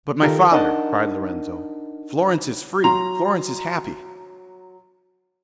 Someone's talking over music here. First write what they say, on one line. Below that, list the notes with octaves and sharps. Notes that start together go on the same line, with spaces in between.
"But, my father," cried Lorenzo, "Florence is free, Florence is happy."
D#3 F4 G4 A4 A#4
D4 D#4 A#4 D#5 F#5 A5
F#3 A#5 C6 F7